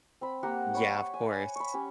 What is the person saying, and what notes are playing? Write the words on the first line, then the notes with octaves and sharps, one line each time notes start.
Yeah. Of course.
C4 B5
A#3 G4 A#4 F#5
C#5 B5 C#6
G#5
B5 C#6
C#4 G4